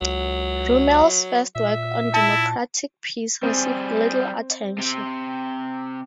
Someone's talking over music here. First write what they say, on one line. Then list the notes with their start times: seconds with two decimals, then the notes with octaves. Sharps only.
Rummel's first work on democratic peace received little attention.
0.01 C#2 F#3
1.55 A#2 E5
2.14 E4 A5
3.43 G3 C4 G#4
4.79 C3